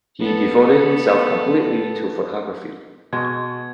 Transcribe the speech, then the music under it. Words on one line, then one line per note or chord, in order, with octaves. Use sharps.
He devoted himself completely to photography.
B3 A4
B2 G#3 C#6 G#6